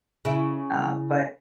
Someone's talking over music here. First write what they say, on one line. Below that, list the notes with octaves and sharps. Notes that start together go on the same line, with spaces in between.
uh, but.
C#3 E4